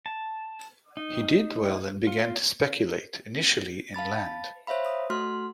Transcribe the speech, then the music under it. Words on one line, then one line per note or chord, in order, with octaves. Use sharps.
He did well and began to speculate, initially in land.
A5
D#4
F4
F5 A5 B5 A6
C5 C#5 E5 F5 B5
D#6
A3 F#4 C6 F6